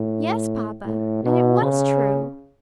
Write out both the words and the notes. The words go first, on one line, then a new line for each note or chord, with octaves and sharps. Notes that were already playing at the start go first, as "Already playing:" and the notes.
"Yes, papa, and it was true."
Already playing: A2
A2
B2
C#3